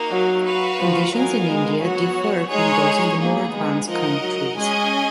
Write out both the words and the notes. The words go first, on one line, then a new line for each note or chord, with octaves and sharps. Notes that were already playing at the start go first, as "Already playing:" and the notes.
Conditions in India differ from those in the more advanced countries.
Already playing: A#3 D#4 F#4 A#4 F5
F#3
F#4 B4 F5
F3
F#3 B3 D#4 A#4 F5 G#5
G#3
F#3 B3 F#4 C#5 F#5
G#3 D#4 G#4 C#5
A#3 B3 D#4 G#4
G#3
F3 D#4 A#4 D#5 F#5
F#3
G#3 C#4 G#4 D#5 G#5